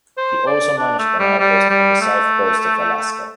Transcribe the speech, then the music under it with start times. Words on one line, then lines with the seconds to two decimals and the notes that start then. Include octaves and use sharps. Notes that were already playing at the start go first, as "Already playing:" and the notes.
He also managed an outpost on the south coast of Alaska.
0.17 C5
0.47 D5
0.78 D4
0.99 A3
1.19 G3
1.39 G3
1.70 G3
2.01 A3